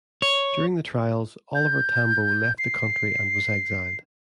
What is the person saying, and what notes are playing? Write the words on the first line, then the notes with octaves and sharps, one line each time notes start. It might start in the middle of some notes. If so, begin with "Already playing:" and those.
During the trials, Oliver Tambo left the country and was exiled.
C#5
G6
C7